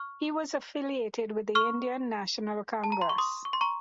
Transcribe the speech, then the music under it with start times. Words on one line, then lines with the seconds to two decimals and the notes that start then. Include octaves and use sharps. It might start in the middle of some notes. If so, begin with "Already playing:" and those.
He was affiliated with the Indian National Congress.
Already playing: C#6 F6
1.55 C#6 F6
2.84 A5
2.92 A#5
3.02 C6
3.09 C#6
3.18 C6 D#6
3.45 C#6
3.53 C6
3.61 A#5 C#6